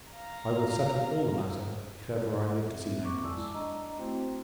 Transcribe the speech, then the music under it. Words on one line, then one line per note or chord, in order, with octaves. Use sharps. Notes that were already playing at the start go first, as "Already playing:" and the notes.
I will settle all the matter, if ever I live to see Naples.
F5 A#5
C4 E5
A#3 C4 C#6 D6
G#3 E4 D5 A5 E6
D4 D#5 A#5
A3 C4 E4 F#4 C5 G5